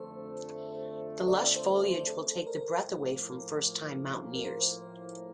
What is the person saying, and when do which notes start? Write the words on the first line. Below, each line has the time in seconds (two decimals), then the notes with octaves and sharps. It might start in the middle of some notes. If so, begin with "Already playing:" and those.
The lush foliage will take the breath away from first time mountaineers.
Already playing: F2 D3 F3 A3 C5
1.28 D5
1.56 C5
1.67 D5
1.87 C5
2.07 A4
2.47 A#4
2.86 A2 F3 A#3
4.35 A#4
4.44 C5